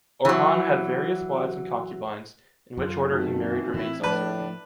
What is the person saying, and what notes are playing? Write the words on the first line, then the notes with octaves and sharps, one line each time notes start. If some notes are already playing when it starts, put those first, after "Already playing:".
Orhan had various wives and concubines; in which order he married remains uncertain.
E3 F#3
F#2 F4
F2 B2 D#3 A3
E3
A2 E3 C4 E4
A2 F3 A3 D4 B4